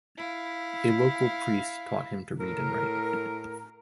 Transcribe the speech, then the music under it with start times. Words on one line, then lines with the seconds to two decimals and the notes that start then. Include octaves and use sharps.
A local priest taught him to read and write.
0.17 E4 F5
2.40 A2 A#4